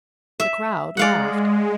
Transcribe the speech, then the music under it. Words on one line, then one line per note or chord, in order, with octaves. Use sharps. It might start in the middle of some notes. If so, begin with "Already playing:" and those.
The crowd laughed.
E5
G#3 D5 F5 F#5